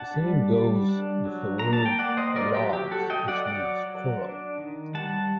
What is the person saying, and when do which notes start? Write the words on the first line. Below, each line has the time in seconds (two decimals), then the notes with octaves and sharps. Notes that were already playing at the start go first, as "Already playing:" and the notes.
The same goes with the word "lahs" which means "coral".
Already playing: D4 F#5 A5
0.14 G3
0.52 G3
0.89 D4
1.25 F#3
1.59 A#3 A#5
1.73 A5
1.86 G5
1.99 A#3 D5 F#5
2.17 C5 D#5
2.36 F#3 A#4 D5
2.55 G4
2.73 F#3 G4
2.91 F#4 A4
3.10 F#3 D#5 G5
3.28 D5 F#5
3.47 F#3 D5 F#5
3.83 F#3
4.21 D4
4.58 D#3
4.94 G3 F#5 A5